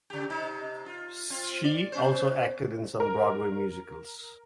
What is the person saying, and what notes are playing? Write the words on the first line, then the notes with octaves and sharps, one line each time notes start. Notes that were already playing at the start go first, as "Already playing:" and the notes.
She also acted in some Broadway musicals.
C#3 G4
C3 D#4
F4
C4 F4
D5
B3 C#4 C5
A#4